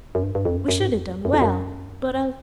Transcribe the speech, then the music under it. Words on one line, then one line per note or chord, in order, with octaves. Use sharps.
We should have done well, but alas!
F#2
G2
G2
F2
F#2
F#2
G#2
F2
F#2
F2
F#2
G2
F#2
F2